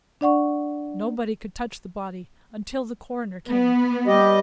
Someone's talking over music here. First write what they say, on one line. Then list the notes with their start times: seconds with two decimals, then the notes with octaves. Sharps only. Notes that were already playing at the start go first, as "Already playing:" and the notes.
Nobody could touch the body until the coroner came.
0.21 D4 D5 F#5 C#6
3.49 B3
4.07 G3 G4 D#5